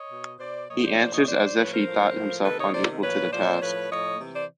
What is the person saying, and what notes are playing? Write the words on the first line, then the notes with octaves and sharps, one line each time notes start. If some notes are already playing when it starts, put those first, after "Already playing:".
He answers as if he thought himself unequal to the task.
Already playing: C#5 D#5
B2
B2 C5 D5
A#2 F3 C#5 D#5
C5 D5
A#2 F3 C5 D5
C#5 D#5
A2 F3 C5 D5
A2 F3 B4 C#5
A#4 C5
A2 F3
A2 F3
C3 D#3 A4 B4
C#5 D#5
C3 D#3 C5 D5
A#2 F3 B4 C#5
A#2 F3 C5 D5
A2 F3 B4 C#5
A2 F3 C#5 D#5
C3 E3
C5 D5